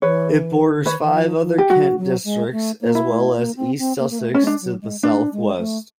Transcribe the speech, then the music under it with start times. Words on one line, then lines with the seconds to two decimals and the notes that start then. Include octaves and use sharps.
It borders five other Kent districts, as well as East Sussex to the south-west.
0.02 E3 B4 C#5
0.77 D3
0.86 D#3 B4 C#5
1.00 D#3
1.06 E3
1.13 F3
1.41 F3
1.58 G4
1.69 F#3 F#4
1.97 F#3
2.24 G#3
2.52 A3
2.81 A#3
2.95 E4
3.08 A3
3.37 A#3
3.57 C4
3.79 C4
3.99 A#3
4.11 A#3
4.19 A3
4.34 C#4
4.40 G#3
4.47 D4
4.62 F#3
4.82 G#3
5.03 A3 D4
5.32 G#3
5.58 A3